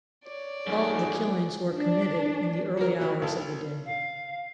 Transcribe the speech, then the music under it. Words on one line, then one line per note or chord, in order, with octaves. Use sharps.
All of the killings were committed in the early hours of the day.
C#5 D5
F#2 D#3 G#4
D4
F#3 A#4
E3 F#3
B1 A4
F5